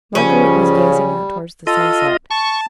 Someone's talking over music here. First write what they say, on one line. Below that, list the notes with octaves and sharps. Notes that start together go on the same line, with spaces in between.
Marguerite was gazing out towards the sunset.
C#3 F3 G3 C#4
F4 A4 D#5
A5 C#6